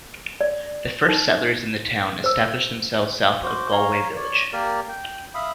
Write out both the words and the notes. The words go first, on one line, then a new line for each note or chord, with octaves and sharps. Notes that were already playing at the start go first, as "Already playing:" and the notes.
The first settlers in the town established themselves south of Galway village.
D5
D#4
C5 E6
F#4 C5 D6
C#5 F5 A#5
C#5 D5
A#3 G4 A#4 D5
G5
E5 F5 B5 D#6